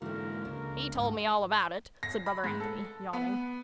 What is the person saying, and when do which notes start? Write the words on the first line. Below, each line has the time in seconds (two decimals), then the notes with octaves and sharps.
"He told me all about it," said brother Anthony, yawning.
0.02 G#2 D3 E3 A3 A#3 F#4 A#4
0.45 C#2 D4
0.93 G#2 D#3
2.03 A#6
2.26 B5
2.44 G#2
2.60 A4
3.13 B3